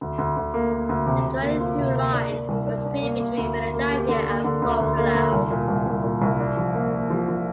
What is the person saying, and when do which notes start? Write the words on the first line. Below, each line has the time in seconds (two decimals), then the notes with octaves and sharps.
A joint through line was created between Philadelphia and Buffalo.
0.01 D2
0.18 D2
0.36 D2
0.54 A#3
0.72 A#3
0.89 D2
1.07 C3
1.24 C3
1.42 A#3
1.61 F4
1.78 C3
1.95 A#3
2.13 D4
2.31 D4
2.49 C2
2.67 D4
2.84 D4
3.02 A#3
3.20 A#3
3.37 D2
3.56 A#3
3.73 A#3
3.91 G4
4.09 D3
4.26 A#3
4.44 D3
4.62 D2
4.80 D2
4.98 A#3
5.15 D2
5.33 C2
5.51 A#2
5.68 C2
5.86 C2
6.04 A#2
6.22 C2
6.40 D4
6.57 F3
6.75 A#3
6.92 A#3
7.10 F3
7.28 F3